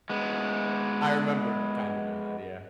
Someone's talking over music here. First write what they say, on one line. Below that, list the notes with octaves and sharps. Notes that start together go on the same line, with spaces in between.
I remembered kinda doing that, yeah.
G#3 B3